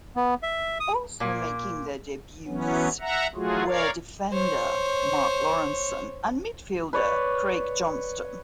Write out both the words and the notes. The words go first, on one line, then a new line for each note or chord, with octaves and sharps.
Also making their debuts were defender Mark Lawrenson and midfielder Craig Johnston.
B3
E5
D#6
A#2 A#3
E3 F#3 B3 C#4
E5 F#5 A#5
F#3 A3 F4 F#4 G#4
A#4 C#5 D5 F5
C5 C#5
B4 C#5 D5